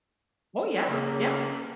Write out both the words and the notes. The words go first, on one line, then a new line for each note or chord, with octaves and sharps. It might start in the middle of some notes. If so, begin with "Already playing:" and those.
Oh, yeah, yeah.
C#3 A#3